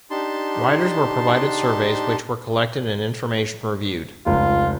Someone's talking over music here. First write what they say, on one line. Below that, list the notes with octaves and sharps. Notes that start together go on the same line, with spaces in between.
Riders were provided surveys which were collected and information reviewed.
D4 D#4 G4 A5 C6
F1 C#2 F4